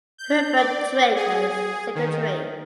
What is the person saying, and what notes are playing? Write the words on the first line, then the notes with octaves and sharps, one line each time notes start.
Herbert Drake as secretary.
G6
D5
G#4
D#3